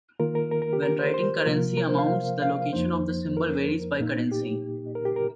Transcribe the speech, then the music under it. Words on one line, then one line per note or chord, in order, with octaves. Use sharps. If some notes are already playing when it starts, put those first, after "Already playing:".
When writing currency amounts the location of the symbol varies by currency.
D#3 A#3 F4 A#4
A#4
A#4
A#4
G4
A#4
C5
C5
C3 F3 A#3 F4 A#4
A#4
C5
F5
F5
F2 F3 A#3 D#4 C5
A#4
A#2 A#3 D#4
G4
A#4
G4
A#4